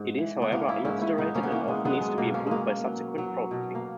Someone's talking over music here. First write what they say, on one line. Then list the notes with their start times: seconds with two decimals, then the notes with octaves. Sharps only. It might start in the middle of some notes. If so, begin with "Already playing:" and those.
It is, however, under-saturated, and often needs to be improved by subsequent processing.
Already playing: G#2
0.18 E3
0.42 B3
0.52 E3 A#3 C#4
0.68 C#4 E4
0.85 G#2 C#4 E4
1.01 C#4 E4
1.18 G#2 B3 D#4
1.35 A#3 C#4
1.43 B3
1.52 E3 A#3
1.68 G#3 B3
1.85 F#3 G#3 B3
2.01 G#3
2.18 B2 A#3
2.34 A#3 C#4
2.47 B2 G#3 A#3
2.84 F#3
3.18 F#3
3.51 B2
3.75 A#3